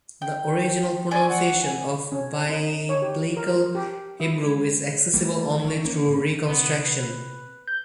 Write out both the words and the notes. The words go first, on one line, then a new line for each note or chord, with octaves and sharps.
The original pronunciation of Biblical Hebrew is accessible only through reconstruction.
G5
C#4 D5 G#5 E6
F#5
G#5
C#4
D#4
C#5
G4
A#4
G4
E4
G#3
E3 G3 A3 A#3
E3 E5 C#6
A#3 C#4
A2
C3 B3
B4
G6